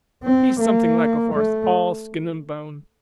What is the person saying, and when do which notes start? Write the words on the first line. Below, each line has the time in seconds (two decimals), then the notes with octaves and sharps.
He's something like a horse--all skin and bone.
0.24 C4
0.60 A#3
1.34 A3